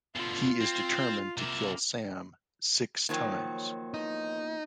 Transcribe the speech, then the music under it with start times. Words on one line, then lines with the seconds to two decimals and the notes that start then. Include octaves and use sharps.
He is determined to kill Sam "six times".
0.15 B2 D3 F4
0.61 C4
1.38 C3 A#3 E4
3.09 D#3 F3 F#3 A#3 C#5 G5
3.94 E2 A#2 E3 D#4